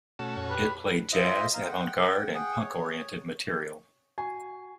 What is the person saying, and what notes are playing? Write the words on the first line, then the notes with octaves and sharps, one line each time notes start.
It played jazz-, avant-garde- and punk- oriented material.
B2 A3 C#4 F#4 A4
F2 A#2 C#5
G4 B4
B5
F4 C5 D#5 E5
F5 A#5
F#5 G5
G#4 F#5 G5
C#5
F#4 G#5